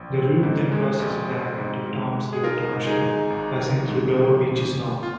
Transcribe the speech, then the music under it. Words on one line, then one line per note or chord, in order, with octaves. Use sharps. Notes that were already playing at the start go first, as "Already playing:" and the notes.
The route then crosses back into Toms River Township, passing through Dover Beaches North.
Already playing: A#1
C4
G#2
G#3
A#1
C4
G#2
G#2
G#3
G#4
D#4 F4 A#4
G#2
D#4 G#4
G#2
G#1
G#1
G#2
F3
G#1
G#1
F4